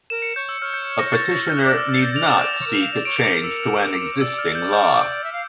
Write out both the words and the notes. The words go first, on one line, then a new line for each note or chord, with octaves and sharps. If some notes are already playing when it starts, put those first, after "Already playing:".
A petitioner need not seek a change to an existing law.
A#4 E7
C#7
C#5 G6
E6
C#5 F6
G6
A#6
A6
F6
D5 D6
E6
F6
G6
F7
E7
E7
F7
C#5
A#4 E7
F5 F7
D5 E7
C#5 D7
A#4 C#7
E6
D6
D6
C#5
D5 E6
F6
G6
G6
E5
F5